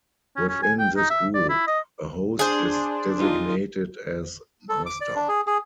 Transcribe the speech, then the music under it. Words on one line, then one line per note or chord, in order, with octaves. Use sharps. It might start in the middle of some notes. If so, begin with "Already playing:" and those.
Within this group, a host is designated as "Master".
C#4
C#4
G#5
G5
D#4
E5
D5
E4
D#5
D4 G#4 C5
D#4 F4
A4
D6
D5
D4
G#4
G#4